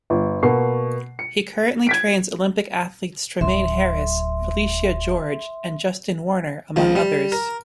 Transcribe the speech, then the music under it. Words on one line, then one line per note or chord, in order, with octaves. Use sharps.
He currently trains Olympic athletes Tremaine Harris, Phylicia George and Justyn Warner, among others.
G1
B2 A#3 C#6 C7
C#7
G#6 B6 D7
D1 E5 C6
C#2 F3
G3
A#4